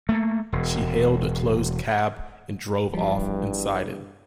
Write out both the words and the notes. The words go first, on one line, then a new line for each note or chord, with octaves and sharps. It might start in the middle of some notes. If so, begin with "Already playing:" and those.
She hailed a closed cab and drove off inside it.
A3 A#3
E1
G1 E2 G2 F3 G3